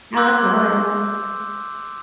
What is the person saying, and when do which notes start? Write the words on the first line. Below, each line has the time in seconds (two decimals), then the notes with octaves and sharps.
No, that's nice.
0.16 C6 D6 E6 F#6 G6